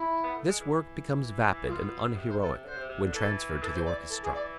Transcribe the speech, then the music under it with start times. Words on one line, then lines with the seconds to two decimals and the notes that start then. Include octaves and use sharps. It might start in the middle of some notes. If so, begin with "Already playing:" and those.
This work becomes vapid and unheroic when transferred to the orchestra.
Already playing: E4
0.23 B3
0.35 A3
0.48 G#3
0.60 E3
1.68 B2 F4
2.17 C3
2.29 C5
2.41 A4
2.65 D3 C5
2.77 C3
2.89 C3
3.01 D3
3.13 E3 A4
3.61 E3 A4
3.74 C5
3.85 D5
4.09 A4
4.22 G#4
4.34 D5